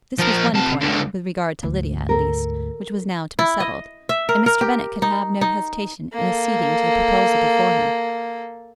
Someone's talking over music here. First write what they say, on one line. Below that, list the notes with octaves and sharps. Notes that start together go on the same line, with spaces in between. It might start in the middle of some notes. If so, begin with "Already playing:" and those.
This was one point, with regard to Lydia, at least, which was now to be settled, and Mr. Bennet could have no hesitation in acceding to the proposal before him.
F3 A#4
C3 A5
C#2 D3
D2 G#2
A4 A#4
E4
D#5
E5
A#4
A#4
G4
D#4
D#4
A#3 A4